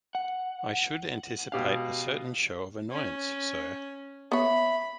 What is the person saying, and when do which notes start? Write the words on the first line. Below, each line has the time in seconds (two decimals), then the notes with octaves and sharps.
I should anticipate a certain show of annoyance, sir.
0.15 F#5
1.52 B2 G4 F5
2.91 C#4
4.32 B3 C#5 E5 B5